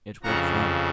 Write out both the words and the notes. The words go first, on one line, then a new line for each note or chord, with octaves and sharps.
It will come.
F2 C#3 F3 F#5 A#5